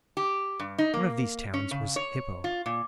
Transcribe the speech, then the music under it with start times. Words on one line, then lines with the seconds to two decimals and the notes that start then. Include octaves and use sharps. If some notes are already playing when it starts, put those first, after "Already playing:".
One of these towns was Hippo.
0.17 G4
0.59 G2
0.78 D#4
0.94 A#3
1.54 C#4
1.71 C#3
1.96 C#5
2.44 F4
2.66 A#2